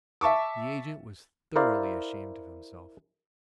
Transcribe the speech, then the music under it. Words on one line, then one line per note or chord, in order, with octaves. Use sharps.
The agent was thoroughly ashamed of himself.
E5 A5 C#6 D6
E4 A#4 C5 D5 F5